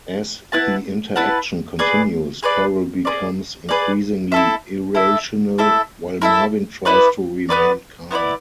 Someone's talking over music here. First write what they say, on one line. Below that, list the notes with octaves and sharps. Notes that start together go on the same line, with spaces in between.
As the interaction continues, Carol becomes increasingly irrational, while Marvin tries to remain calm.
E4 B4 F#5 A5
E4 B4 F#5 A5
G#4 B4 D5
G#4 B4 D5
G#4 B4 D5
G#4 B4 D5
E4 A4 E5
E4 A4 E5
E4 A4 E5
E4 A4 E5
B3 E4 B4 D5
B3 E4 B4 D5
B3 E4 B4 D5